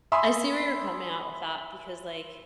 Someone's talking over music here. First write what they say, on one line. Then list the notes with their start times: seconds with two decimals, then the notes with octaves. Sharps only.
I see where you're coming at with that because like
0.12 E5 G#5 B5 C6 D#6